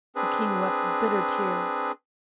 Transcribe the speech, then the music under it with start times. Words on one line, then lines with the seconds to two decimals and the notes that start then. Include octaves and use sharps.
The King wept bitter tears.
0.16 C4 D4 G#4 B4